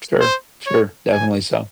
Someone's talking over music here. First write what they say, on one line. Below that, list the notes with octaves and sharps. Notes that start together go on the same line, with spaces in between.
Sure. Sure. Definitely so.
C5
C#5
G#5